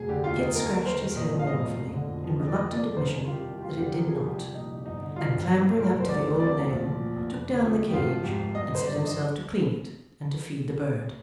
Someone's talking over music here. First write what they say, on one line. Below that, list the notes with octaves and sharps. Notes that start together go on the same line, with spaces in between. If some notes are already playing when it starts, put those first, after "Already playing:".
Kit scratched his head mournfully, in reluctant admission that it did not, and clambering up to the old nail took down the cage and set himself to clean it and to feed the bird.
Already playing: F1 D2 G#4
D3 G4
D#2 F4
F1 D#4
D#2 A#4
D#2
D#3 C5
D#3
A#1 D#5
F3
F5
G#2 D#5
A#1
F1
D3
F2
F3
F1 D#5
D5
D#3 D#5
F2 D5
F1
C5
C2 A#4
D#3
F4
C3 G4
C2
G4
F1 F4
D3 G4
F2 A#4
F3 G#4
C2 G4
F3
A#2 D#4
C2
G1 D#4
D3
G2 F4
G1
C2
F3
A#2 A#4
C2
C5
D2 D5
D#3
C3 D5
D2
A#1
F3
A#2
A#1
F1
D3
F2
F1
G4
G#1 F4
F3
G#2 G4
G#1
G1 D#5
D#3 C5
G2 D5
D#5